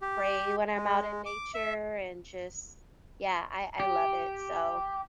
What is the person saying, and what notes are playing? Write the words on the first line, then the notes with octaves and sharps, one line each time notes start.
pray when I'm out in nature and just, yeah, I I love it. So,
G4
G#3
D6
E5
G4